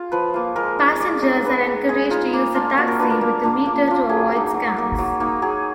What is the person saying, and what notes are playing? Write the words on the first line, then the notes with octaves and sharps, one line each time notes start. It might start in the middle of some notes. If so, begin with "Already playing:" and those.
Passengers are encouraged to use a taxi with a meter to avoid scams.
Already playing: F4 G#4
F3 B4
A#3 F4
G#3 A#4
D#4
G#3 D5
D#4 D#5
G#3 B4
D#4
G#3 G#4
D#4 F4
A#3
D4 F4
A#3 F#4
A#4
D4 F4 B4
A#4
A#3
D4 F4
A#3
D4 F4
F#3 G#4
A#3 D#4
F#3
A#3 D#4
F#3
A#3 D#4
F#3 G#4